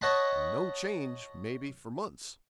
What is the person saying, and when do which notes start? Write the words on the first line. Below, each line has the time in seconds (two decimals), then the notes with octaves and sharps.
And no change, maybe, for months.
0.01 C#5 D#5 F#5 A5 B5